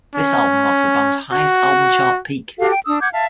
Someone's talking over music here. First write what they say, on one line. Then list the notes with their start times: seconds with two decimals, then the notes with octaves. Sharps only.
This album marks the band's highest album chart peak.
0.15 C#4
1.32 F#4
2.58 F#4 G4 A4 F5
2.71 G5
2.85 D4 D#6 E6
3.00 F#5 D6 G6 G#6
3.12 E5 F5 A5